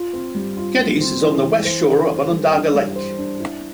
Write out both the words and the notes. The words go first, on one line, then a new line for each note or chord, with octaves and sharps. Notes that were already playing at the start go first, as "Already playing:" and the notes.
Geddes is on the west shore of Onondaga Lake.
Already playing: F4
C4
G3
F4
F4
C4
E3
E3
C5
D4
A4
G3
D4
G3
C5
D4
E4